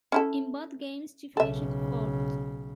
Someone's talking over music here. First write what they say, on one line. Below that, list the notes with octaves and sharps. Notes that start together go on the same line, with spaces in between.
In both Games she finished fourth.
C#4 E4 A4
B1 C#3 A4 E5